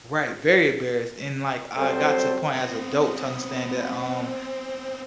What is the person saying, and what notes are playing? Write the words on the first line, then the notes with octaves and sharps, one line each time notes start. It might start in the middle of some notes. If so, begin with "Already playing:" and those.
Right, very embarrassed. And, like, I got to the point as a adult to understand that, um,
F#3 G3 C4 A4 C5
B3 C4